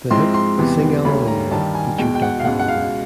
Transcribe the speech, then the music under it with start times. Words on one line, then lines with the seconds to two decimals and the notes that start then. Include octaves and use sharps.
The hit "Sing Hallelujah" featured Doctor Alban.
0.11 G#2 F3 G#3 C4 E4 C6
0.34 C6
0.57 E2 C3 E3 G3 B3
1.04 D2 D3 G3 A#3 C#4 B5
1.27 A#5
1.51 G2 D#3 G3 A5
1.75 G#5
1.98 E2 B2 G#3 G5
2.15 G5
2.22 F#5
2.39 F5
2.45 C#2 B2 G#3 F#5
2.59 F#5
2.68 F5